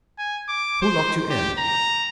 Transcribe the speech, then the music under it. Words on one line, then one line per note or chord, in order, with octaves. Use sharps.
"Who locked you in?"
G#5
D6
C5
G4
A#5